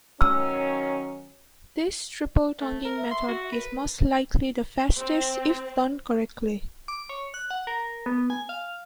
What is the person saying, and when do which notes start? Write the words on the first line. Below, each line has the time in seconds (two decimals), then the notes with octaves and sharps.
This triple tonguing method is most likely the fastest if done correctly.
0.21 D#3 F#3 C#4 E6
2.60 A3
2.85 A#4
2.98 E5
3.11 C6
3.28 F#4
3.52 A#4 B4
4.98 C4
6.88 D6
7.09 C#5
7.34 F#6
7.51 F#5
7.67 A#4
8.06 B3
8.30 G#5
8.49 F5